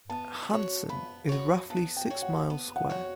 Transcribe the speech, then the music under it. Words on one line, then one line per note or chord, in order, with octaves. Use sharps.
Hansen is roughly a six-mile square.
B3 A5
F#4 C#5
B3 B5
F#4 C#5
B3 A5
G5
F#4 C#5
F#5
B3
F#5
F#4 C#5